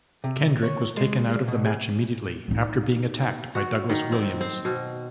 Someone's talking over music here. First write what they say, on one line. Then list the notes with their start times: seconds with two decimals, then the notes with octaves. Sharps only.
Kendrick was taken out of the match immediately, after being attacked by Douglas Williams.
0.24 C3
0.63 C#5
0.97 G#3
1.48 B2
1.65 G#4
2.48 A2 D#4
3.55 F#4
3.89 D#3
4.12 C4
4.41 C4
4.65 B2